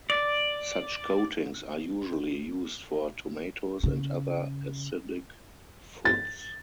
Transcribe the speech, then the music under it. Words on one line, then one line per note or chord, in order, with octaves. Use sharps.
Such coatings are usually used for tomatoes and other acidic foods.
D5
C#3
A6